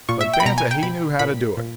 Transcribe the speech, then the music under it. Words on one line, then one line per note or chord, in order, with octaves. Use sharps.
But Banta he knew how to do it.
A#2 C#6
E5
G5
B5
B2 A#5
G#5
G5
B2 B5
A#2 B5
A#2